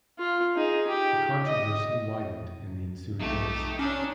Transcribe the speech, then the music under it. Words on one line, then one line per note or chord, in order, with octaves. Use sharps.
The controversy widened in the ensuing days.
F4
D#4 G#4
G4
D#5
B1 C3 F3 A3 D#4 G4
C#4 D4 A#5 D6 D#6